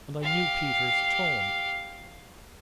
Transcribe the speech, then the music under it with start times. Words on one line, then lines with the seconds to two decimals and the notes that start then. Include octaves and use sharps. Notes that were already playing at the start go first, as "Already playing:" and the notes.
And I knew Peter's tone.
0.22 G4 F5